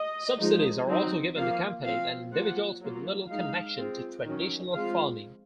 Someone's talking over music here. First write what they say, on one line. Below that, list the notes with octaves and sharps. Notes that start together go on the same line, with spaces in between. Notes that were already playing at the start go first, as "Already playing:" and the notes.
Subsidies are also given to companies and individuals with little connection to traditional farming.
Already playing: D#5
F3 G#3 D#4
F#3 C4 D#4
F3 A#3 F4 F5
F3 C4 F4 F5
F3 A#3 F4 F#5
F#3 A#3 F4
G#3 D#4 F5
G#3 C4 F4
D#3 F#3 C#4
F3 G#3 C4 F4 F5